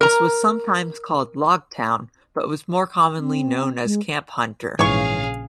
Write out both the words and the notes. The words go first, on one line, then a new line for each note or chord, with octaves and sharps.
This was sometimes called Log Town, but was more commonly known as Camp Hunter.
A#4 A#5
C4
G#3
A#1 G#2 C#3 E3 G#4 C#5 F5 C#6